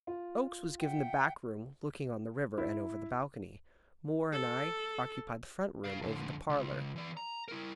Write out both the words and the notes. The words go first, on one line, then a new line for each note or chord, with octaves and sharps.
Oakes was given the back room looking on the river, and over the balcony; Moore and I occupied the front room, over the parlor.
F4
E5 F#5 G5
E4
A4
G#4 F5
F2 D3
C#2
E3 D5
A#5
E4 A#4